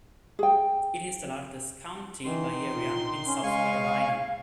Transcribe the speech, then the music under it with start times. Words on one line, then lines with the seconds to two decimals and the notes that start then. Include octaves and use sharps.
It is the largest county by area in South Carolina.
0.39 G#4 G5
2.25 D#3 E3 C6
2.67 A#2
3.27 C#4
3.43 C#3 G#3 F5 G#5 C#6